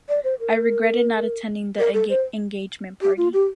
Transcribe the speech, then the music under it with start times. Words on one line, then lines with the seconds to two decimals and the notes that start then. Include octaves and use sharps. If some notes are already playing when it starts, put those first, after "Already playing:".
I regretted not attending the engagement party.
0.09 D5
0.24 C5
0.40 A#4
1.79 A#4
1.94 A4
2.10 C5
3.02 G4
3.18 F4
3.33 G4